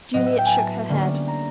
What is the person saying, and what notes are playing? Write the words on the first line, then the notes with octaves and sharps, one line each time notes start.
Juliet shook her head.
A2 F#3 B3 D#5
E5
G5
G#5
A5
D3 G3 A#3 C#4
A#5